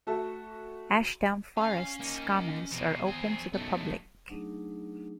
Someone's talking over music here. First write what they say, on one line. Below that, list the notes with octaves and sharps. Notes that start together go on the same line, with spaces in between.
Ashdown Forest's commons are open to the public.
A3 F#4 A4 E5 A5
C#4 F5 G#5
A#3 D#4
E2 B2 C4
C4 G#4
F#2 A3 B3 D#4
F#3 A3 D4 D#4 G#4